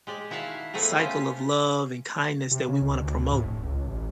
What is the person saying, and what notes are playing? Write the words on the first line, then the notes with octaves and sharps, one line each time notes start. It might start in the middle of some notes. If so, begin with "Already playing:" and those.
cycle of love and kindness that we wanna promote.
G#3 G4 D5
D#3 E4 F#4 E5 F5 A5
C3 A3 B3 G#4 A#4
C#4 F4 G4
C3
C#3
C#2
D2
D2
A2
F1
C#2
A1